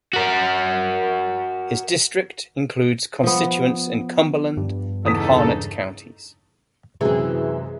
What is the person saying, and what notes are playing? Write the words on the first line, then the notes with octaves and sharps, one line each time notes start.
His district includes constituents in Cumberland and Harnett counties.
F#4 A#4
F3 B3
G2
E2 C#3 D#4 A4 D#6 B6
F#2 C3 E3 G#3 G#4